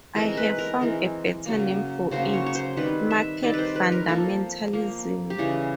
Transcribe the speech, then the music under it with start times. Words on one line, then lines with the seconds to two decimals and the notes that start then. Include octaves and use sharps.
I have found a better name for it: market fundamentalism.
0.15 E3 G#3 C4 A#4
0.37 B4
0.58 A#4
0.81 E3 G#3 C4
1.46 C#3 F#3 A#3
2.11 C#3 F#3 A#3 C5
2.33 C#5
2.46 C#5
2.55 C5
2.77 D#3 G3 C4 B4
3.10 E5
3.43 D#3 G3 C4 D5
3.54 B4
3.59 C5
3.76 B4
3.92 A#4
4.08 F3 A#3 A4
4.73 F3 A#3
5.30 G4
5.38 C#3 E3 G3 G#4